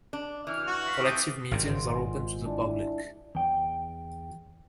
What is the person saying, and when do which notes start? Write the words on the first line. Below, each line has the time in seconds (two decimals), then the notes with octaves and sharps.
Collective meetings are open to the public.
0.13 D4
0.47 E3 F6
0.67 F#4
0.87 F5 B5 C#6
1.04 A3 C4 D6 D#6
1.51 G#1 G2 C3
1.67 F#4 C5 D#5
1.87 G#3 F4
2.45 E3 D4
3.35 E2 G5